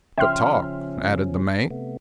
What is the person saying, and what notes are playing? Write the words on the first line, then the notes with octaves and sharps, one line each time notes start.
"But talk," added the mate.
C#3 F3 C#4 E5 G5 C6 F6
C3 A3 B3